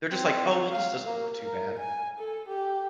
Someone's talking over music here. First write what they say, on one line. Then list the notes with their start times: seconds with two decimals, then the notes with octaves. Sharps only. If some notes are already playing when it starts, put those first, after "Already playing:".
They're just like, "Oh, well, this doesn't look too bad,"
0.10 C4
0.70 F5
1.06 A#3
1.42 A#4
1.79 G#5
2.18 A4
2.48 G4